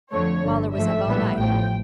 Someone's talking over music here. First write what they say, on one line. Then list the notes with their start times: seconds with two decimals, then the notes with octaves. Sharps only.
Waller was up all night.
0.11 F2 D3 F3 A3 C#5
0.43 G1 G2 D3
0.74 G#2 F3 A3 E5
1.05 A#1 A2 E3 G3 B3
1.37 A1 A2 F3 G5